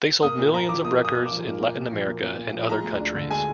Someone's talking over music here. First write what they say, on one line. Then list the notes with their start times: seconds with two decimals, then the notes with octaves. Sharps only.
They sold millions of records in Latin America and other countries.
0.23 A#3 D#6
0.38 A#2
0.53 A#2 A#5
0.69 F3 D6
0.84 A#3 D#6
1.00 A#2 D#6
1.15 A#2
1.26 D6
1.31 F3
1.46 A#3
1.61 A#2
1.77 A#2
1.93 F3
2.07 A#3
2.23 A#2
2.38 A#2
2.54 F3
2.70 G#3 A#5
2.84 D2
3.00 D4
3.15 D3
3.30 G#3 G#5